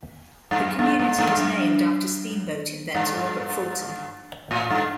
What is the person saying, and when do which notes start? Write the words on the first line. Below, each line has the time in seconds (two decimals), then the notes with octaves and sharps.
The community is named after steamboat inventor, Robert Fulton.
0.51 G2
0.60 F#2
0.79 G2
1.00 G2
1.19 G2
1.29 G2
1.37 F#2
2.95 G2
4.51 A2
4.70 G2